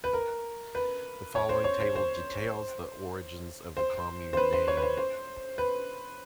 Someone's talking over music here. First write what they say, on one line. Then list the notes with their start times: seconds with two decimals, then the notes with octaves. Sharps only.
The following table details the origins of the commune name.
0.04 B4
0.13 A#4
0.75 B4
1.35 C#5
1.49 C5
1.64 C#5
1.80 C5
1.96 C5
3.77 C5
4.33 C5
4.37 B4
4.53 C5
4.68 C#5
4.77 B4
4.82 C5
4.97 C5
5.58 B4